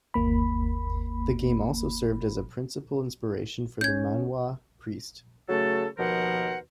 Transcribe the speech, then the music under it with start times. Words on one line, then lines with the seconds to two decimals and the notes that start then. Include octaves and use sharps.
The game also served as a principal inspiration for the manhwa "Priest".
0.14 G1 D#2 A#3 B5
3.81 C#4 G6 G#6
5.49 C#3 F#3 A3 A4
5.98 D#2 B2 F3 A#4 C5 F#5